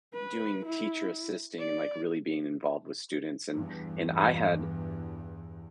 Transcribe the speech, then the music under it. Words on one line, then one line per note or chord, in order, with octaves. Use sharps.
doing teacher assisting and, like, really being involved with students and and I had
B4
E4
D5
E2 G2